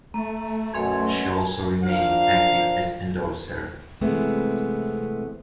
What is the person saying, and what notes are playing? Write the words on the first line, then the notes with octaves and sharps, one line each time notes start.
She also remains active as endorser.
A3 A#5
F#2 B2 G#5 C6 G#6
F3 D4 A#4 C5 F5
C3 E3 G#3 A3 B3 C4